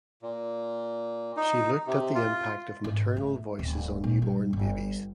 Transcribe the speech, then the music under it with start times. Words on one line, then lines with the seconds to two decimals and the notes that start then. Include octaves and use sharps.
She looked at the impact of maternal voices on newborn babies.
0.23 A#2
1.37 D#4
1.87 C3
2.15 F4
2.84 G#2
3.17 A3
3.59 D1
4.04 A#2
4.22 G3
4.53 G1